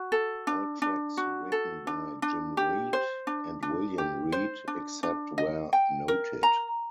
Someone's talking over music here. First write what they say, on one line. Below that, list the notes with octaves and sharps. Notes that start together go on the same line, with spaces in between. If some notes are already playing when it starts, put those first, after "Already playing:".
All tracks written by Jim Reid and William Reid, except where noted.
Already playing: F#4
A4
D4
D4
F#4
A4
D4
D4
G4
C5
D4
D4
G4
C5
D4
D4
D#5
G5
A#4
A#5